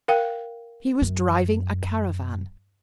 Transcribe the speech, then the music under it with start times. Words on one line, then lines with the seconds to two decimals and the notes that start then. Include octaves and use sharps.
He was driving a caravan.
0.08 A#4 F5 G5
1.02 F#2